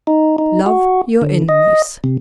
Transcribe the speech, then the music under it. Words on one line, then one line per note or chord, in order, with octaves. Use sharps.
Love Your Enemies.
D#4
D#4
F#4
D3
D#5
C3